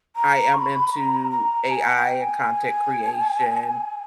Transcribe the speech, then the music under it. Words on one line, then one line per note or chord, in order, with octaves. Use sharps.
I am into AI and content creation,
A#5
C#6
B5
B5
A#5
A#5
G#5
G5
G#5